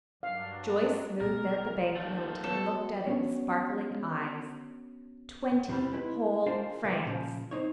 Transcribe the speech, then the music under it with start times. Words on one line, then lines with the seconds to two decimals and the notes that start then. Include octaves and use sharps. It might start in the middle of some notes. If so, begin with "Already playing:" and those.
Joyce smoothed out the bank-note and looked at it with sparkling eyes. Twenty whole francs!
0.23 G2 F#3 D4 F5
1.20 B1 A#4
1.96 D#2 F3 A3 F#7
2.44 F#3 B3 F#4 A4 C#5
3.06 B3 C#4 D4 F#4 C#5
5.68 E2 C3 E3 G3 B5
5.93 G#3 E4 B4
6.46 D4 F4 A#4 C5
6.84 C#2 B4 D5
7.05 A#2 C#3 F3
7.51 C4 D#4 C#5